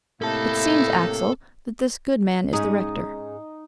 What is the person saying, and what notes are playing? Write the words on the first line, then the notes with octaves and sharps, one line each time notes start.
"It seems, Axel, that this good man is the rector."
A2 C3 A#3 D#4 E4 A4 A5
G#2 C#4 D#4 G#4